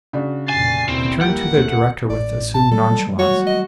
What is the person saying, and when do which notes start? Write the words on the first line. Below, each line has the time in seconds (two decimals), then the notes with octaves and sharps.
He turned to the director with assumed nonchalance.
0.13 C#3 D4 F#4
0.49 F1 A#2 G#5 A6 C7
0.89 D#2 B2 C4 E4
1.21 G3 A#3 F#5 G6 D7
1.54 D2 A3
2.10 A1 D5
2.54 A5
2.71 F#3 G3 A3 A4
3.19 F#4 C#5
3.47 D#5